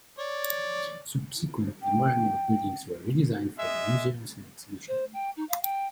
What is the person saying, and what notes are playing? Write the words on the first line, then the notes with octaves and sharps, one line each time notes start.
Subsequently, more and more buildings were redesigned for museums and exhibition.
C#5 D5
G5
G#3 D#5 E5
C5
G5
D#4
F5
G5